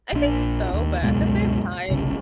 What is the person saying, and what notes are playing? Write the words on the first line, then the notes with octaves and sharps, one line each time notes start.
I think so, but at the same time,
A#1 D4
D#2
C#2 F#2 B2 G#3
G1 C2 C#3